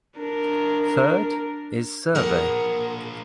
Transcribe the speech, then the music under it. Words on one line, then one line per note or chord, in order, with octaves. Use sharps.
Third, is survey.
D4 A#4
A#3 D4 G#4 A#4 F#5